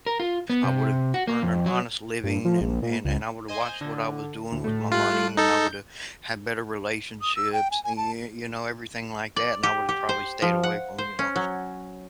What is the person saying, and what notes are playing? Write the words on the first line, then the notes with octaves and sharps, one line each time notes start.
I would've earned an honest living and and and I would've watched what I was doing with my money and I would've had better relationships, y you know, everything like that, and I would have probably stayed away from, you know,
A#4
F4
B3
C3
F#4
A#3
F2
F#3
G2
F3
A#1
A#2
C#2
C5 D#5 G#5
D3
D2
A2 A3
G3 A3 F4 F#6
D#4 A4 G6
D#6
E6
G5
G#5
G#5
A5
D5
G4
G4
C5
F3
F#5
C5
C#4
F#3